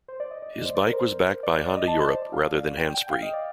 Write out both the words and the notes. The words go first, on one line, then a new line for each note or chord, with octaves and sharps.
His bike was backed by Honda Europe rather than Hannspree.
C5
D5
D#5
D5
D5
C5
D5
A#4
C5
D5
D5
D5
D#5
A5
C5
D5
F5
G5
G5
F5
D#5
D5